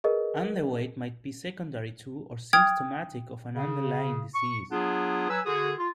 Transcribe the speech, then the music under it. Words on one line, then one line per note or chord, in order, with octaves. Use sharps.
Underweight might be secondary to or symptomatic of an underlying disease.
G#4 A#4 B4 D#5
G5 D#6 F6 G#6 D7 F7
C#3
C#6
F#3 B3 D4 F4 G#4
F#3 B4 G#5 E6
D3 F#4 G#4
F4